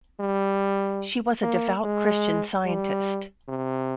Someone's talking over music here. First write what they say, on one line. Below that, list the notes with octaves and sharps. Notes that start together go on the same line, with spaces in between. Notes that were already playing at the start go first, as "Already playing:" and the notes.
She was a devout Christian Scientist.
G3
A#3
G#3
G3
C3